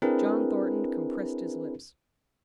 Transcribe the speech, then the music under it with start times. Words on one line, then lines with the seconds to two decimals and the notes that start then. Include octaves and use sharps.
John Thornton compressed his lips.
0.02 C4 D4 E4 G#4 A#4 B4